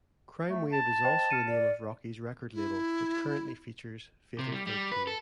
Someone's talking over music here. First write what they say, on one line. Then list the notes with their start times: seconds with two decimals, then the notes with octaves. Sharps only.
CrimeWave is also the name of Rocky's record label, which currently features Fatal Thirteen.
0.48 A3
0.72 A5
1.05 C5 D#5 G5
1.30 F6 C#7 D#7
1.47 D5
2.54 E4
4.39 C3
4.52 G3
4.67 G3
4.91 B4
5.07 A4